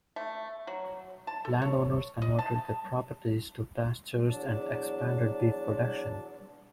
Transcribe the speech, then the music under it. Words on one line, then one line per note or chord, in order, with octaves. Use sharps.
Landowners converted their properties to pastures and expanded beef production.
A3
F#3
A5
A4
C#5
D#5
A5
E2 F#3 D4 A5